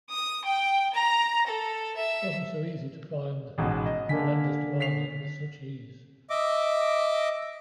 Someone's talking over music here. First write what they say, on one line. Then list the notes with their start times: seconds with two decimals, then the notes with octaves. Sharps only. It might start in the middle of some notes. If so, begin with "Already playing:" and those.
It wasn’t so easy to find what the lenders demanded with such ease.
0.10 D#6
0.45 G5
0.96 A#5
1.47 A4
1.97 E5
3.58 A1 G#2 B2
3.86 D#5
4.09 D3 A#3 G#5 B6
4.80 B6 C7 F7
6.30 D#5 E5 D6